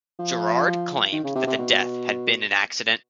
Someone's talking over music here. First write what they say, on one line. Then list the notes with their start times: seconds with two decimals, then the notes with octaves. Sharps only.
Girard claimed that the death had been an accident.
0.19 F3
1.12 D#3
1.24 C#3
1.36 C3
1.47 C3
1.58 B2